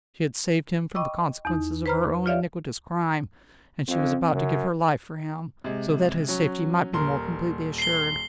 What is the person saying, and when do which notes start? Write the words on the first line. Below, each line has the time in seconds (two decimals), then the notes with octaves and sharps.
She had saved him from the consequences of her own iniquitous crime, and she was about to give her life for him, so that his safety might be more completely assured.
0.95 D#5 G5 B5 C#6 D6 E6
1.45 E2 D#4
1.86 B4 C5 A#5 B5 F6
2.26 F4 G4 C#5 D5 E5 F5
3.88 F2 C4
4.33 F#2 C#3
5.64 C3 G#3
6.28 F#3 C#4
6.93 D#1 A#4 C6
7.78 C7 G7